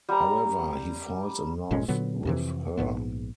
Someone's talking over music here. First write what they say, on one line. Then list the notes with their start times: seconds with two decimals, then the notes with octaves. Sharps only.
However, he falls in love with her.
0.09 G3 A#5
1.71 G1 A#2 G#3 C#4
1.88 A#2 D3 F#3 B3
2.25 F2 C3 E3
2.77 A#1 F2 G#2 B3